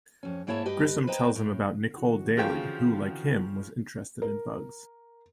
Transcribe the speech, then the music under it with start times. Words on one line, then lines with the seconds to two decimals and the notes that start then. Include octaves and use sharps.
Grissom tells him about "Nicole Daley," who, like him, was interested in bugs.
0.23 F2 C#4
0.47 G#2 A#3 E4 C#5 E5 A5
0.65 G2 G4 B4 D#5
1.07 B4 C5 D#5 G5 A#5
1.35 A2
1.96 D3 E3 F#4
2.37 C#3 F3 G5
4.22 A#4